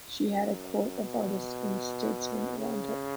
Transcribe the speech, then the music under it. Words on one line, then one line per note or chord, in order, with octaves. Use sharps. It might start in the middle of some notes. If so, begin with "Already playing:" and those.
She had a court of artists and statesmen around her.
F#2
B2
C#3